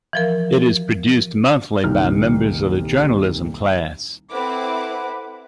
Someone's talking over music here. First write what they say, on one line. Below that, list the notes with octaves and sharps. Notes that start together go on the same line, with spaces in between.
It is produced monthly by members of the journalism class.
E3 F3 A#4
D#1 C2 D#4 F6
C4 E4 A4 B4 F#5 D6